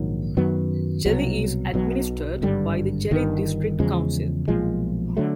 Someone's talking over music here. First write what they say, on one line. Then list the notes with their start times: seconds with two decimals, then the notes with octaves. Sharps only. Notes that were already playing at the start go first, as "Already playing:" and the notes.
Jeli is administered by the Jeli District Council.
Already playing: A#1 G#2 D#3 F#3
0.37 F#2 D#3 F#3 B3
1.06 C2 B2 F#3
1.74 B1 B2 F#3
2.42 G#1 G2 D3 G3
3.11 G1 G2 D#3
3.79 E2 C#3 F3 G#3
4.48 B1 A#2 F3 G#3
5.17 D3 F#3 A3